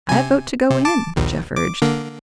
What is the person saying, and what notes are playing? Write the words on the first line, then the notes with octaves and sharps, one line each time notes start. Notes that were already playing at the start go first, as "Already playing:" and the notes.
"I vote to go in," Jeff urged.
C3 G#5
C3
A5 D6
A#1 D#2
D6
D3 A#3